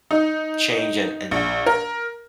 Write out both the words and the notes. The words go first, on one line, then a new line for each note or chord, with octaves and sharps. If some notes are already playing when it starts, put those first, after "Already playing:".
change and and
D#4
A#1
A#4